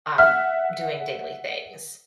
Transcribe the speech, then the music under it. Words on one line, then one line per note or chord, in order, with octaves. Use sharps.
um, doing daily things.
E5 F#5 F6